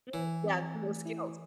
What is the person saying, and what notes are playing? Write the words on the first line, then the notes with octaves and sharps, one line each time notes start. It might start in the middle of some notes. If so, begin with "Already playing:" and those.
Mm, yeah, no skills.
E3 E4
C4
A3
E4